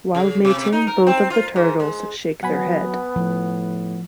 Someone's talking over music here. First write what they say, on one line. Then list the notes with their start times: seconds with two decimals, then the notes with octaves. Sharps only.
While mating both of the turtles shake their head.
0.15 C#3
0.45 C3
0.72 D#4
0.87 A#4
1.07 C4
1.30 F4
1.56 G#2
1.80 G#3
2.43 F#3 B3 F#5 G#5 B5
3.16 A2 F3